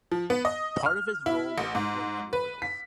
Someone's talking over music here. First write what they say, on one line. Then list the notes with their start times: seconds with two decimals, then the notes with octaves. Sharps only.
Part of his role was reporting on royals.
0.11 F3
0.30 B3
0.45 D#5
0.86 F6
1.26 E4
1.58 A1
1.75 G#2
2.33 B4
2.62 B6